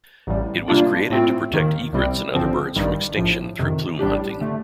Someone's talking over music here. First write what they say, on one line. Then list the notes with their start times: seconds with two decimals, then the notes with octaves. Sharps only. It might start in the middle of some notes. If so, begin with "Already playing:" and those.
It was created to protect egrets and other birds from extinction through plume hunting.
0.27 A1 A2 G3
0.68 C3 G3 A#3 D4 F4
1.10 A2 A3 C4 F4
1.51 D#2 D#3 A#3
1.93 C2 C3 G3 C4
2.35 A1 G2 D3 F3 C4
2.76 A1 G2 D#3 G3
3.17 A#1 A2 F3
3.59 F2 C3 D#3
3.99 A1 A2 G3 D4 G4
4.41 D3 A3